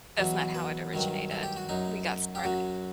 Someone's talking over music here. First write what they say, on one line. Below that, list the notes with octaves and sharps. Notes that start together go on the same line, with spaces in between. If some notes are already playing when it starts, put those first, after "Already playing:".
That's not how it originated. We got started.
E2 B2 F#3
B4
G2 D#3 F#3
A4
G4
F#4
F#2 F#3 D#4
G4
F#2 F#3 F#4